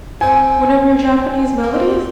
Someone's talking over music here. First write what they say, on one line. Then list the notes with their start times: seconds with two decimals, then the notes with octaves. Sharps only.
One of your Japanese melodies?
0.21 C4 G#5
1.62 A#3
1.72 C4